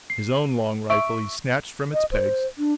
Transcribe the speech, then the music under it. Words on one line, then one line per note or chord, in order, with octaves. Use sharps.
His own long rifle he snatched from its pegs.
C7
E5 C#6 D7
D#5
C5
D4